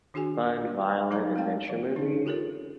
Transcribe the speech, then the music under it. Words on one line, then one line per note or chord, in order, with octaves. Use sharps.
fun, violent adventure movie
D#3 D4 F#4 G#4 G#5
F#3 D#4 F5 A#5 B5
G#3 A3 C4 F5 G5
E3 D5
D3 C4 D4 D#4
F4 G4 A4 A#4 C#5